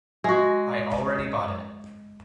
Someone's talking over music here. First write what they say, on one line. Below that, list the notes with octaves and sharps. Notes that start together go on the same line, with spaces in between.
I already bought it.
G#3 F#4